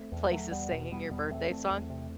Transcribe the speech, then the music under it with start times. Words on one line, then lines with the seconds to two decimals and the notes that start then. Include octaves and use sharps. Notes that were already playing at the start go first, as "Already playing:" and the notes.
place is singing your birthday song.
Already playing: A3 C4
0.12 E2
0.32 E2 F#3 A3
0.51 E2 G3 B3
0.71 B2
0.92 B2 G3 B3
1.11 E2 G3 B3
1.30 E2 A3 C4
1.50 E2 A3 C4
1.70 E2
1.90 C3